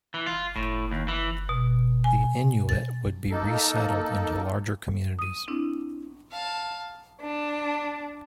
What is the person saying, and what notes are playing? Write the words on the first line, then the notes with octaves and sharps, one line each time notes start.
The Inuit would be resettled into larger communities.
E3
F4
A2
D#2
E3
B2
G#5
A6
A#3 D#4 A4
D#6 D#7
C4 D4 E4
F5 A5
D4